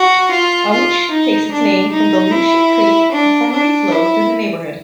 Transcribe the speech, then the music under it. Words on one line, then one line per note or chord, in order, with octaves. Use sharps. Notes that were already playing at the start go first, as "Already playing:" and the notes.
Aluche takes its name from the Luche creek that formerly flowed through the neighbourhood.
Already playing: F#4
F4
F4
D#4
D4
D#4
E4
D4
D4
E4